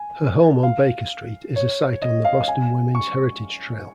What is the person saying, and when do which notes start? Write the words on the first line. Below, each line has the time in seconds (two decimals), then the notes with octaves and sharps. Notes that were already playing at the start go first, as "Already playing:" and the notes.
Her home on Baker Street is a site on the Boston Women's Heritage Trail.
Already playing: G#5
0.63 F5
1.56 C#5
2.02 D#5
2.25 F5
2.48 G#5
2.95 C#6